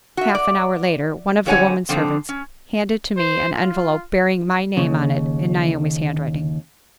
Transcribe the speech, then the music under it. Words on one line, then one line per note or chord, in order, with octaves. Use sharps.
Half an hour later, one of the women-servants handed to me an envelope bearing my name on it in Naomi's handwriting.
F#4 E5
D5
F2 D3 G4 C#5 F#5 G#5
D3 F3 C4
C#4
C5
F4
D#2 C#3